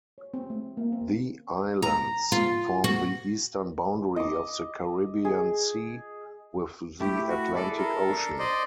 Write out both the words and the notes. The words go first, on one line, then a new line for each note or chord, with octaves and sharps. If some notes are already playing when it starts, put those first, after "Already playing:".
The islands form the eastern boundary of the Caribbean Sea with the Atlantic Ocean.
C#5
C4
A3
A#3
C4
A#5
F4
F#4
D#5 D6
G#4
A3 E4 G4
F#4
E4 G#4 A4 D5
A4 A#4
D4
C5 D5 D#5